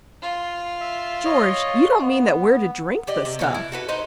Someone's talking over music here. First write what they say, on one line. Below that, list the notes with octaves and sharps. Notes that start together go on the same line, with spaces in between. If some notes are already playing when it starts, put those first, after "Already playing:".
"George, you don't mean that we're to drink the stuff?"
F4
E5
C#5 D#5
B3
G4 D5 D#5
C3
B2 E3 F5
E4
F#4 A4 B4
D#4 B4 C5 D#5